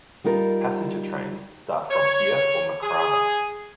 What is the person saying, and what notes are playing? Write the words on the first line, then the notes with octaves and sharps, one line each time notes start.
Passenger trains start from here for Makrana.
G3 D#4 F4 A#4
C#5
G#4